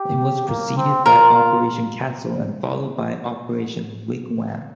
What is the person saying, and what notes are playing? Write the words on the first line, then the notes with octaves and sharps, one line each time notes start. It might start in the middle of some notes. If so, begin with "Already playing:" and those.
It was preceded by "Operation Castle", and followed by "Operation Wigwam".
Already playing: G4
A#3
C4
F4 A#4
F4